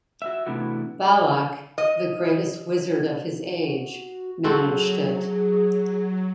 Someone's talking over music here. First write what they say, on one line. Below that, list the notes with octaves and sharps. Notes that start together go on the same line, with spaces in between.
Balak, the greatest wizard of his age, managed it.
F#4 E5
A2 C3 E3 B3 D4 F#4
D#5
F#4
F#3 C4 F#4 G#4 A4